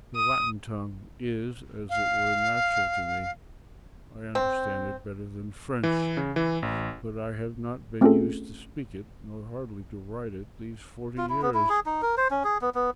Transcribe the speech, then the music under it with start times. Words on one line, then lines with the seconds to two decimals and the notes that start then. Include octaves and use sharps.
The Latin tongue is as it were natural to me; I understand it better than French; but I have not been used to speak it, nor hardly to write it, these forty years.
0.15 D#6
1.90 F5
4.35 C4
5.83 E3
6.17 C#3
6.36 E3
6.63 A1
8.01 A3 C4 C#4 F4 G#4 A4
11.17 F4
11.29 E4
11.42 B3
11.54 E4
11.69 G#4
11.86 D#4
12.02 A#4
12.17 C5
12.31 C#4
12.44 G#4
12.61 B3
12.75 B3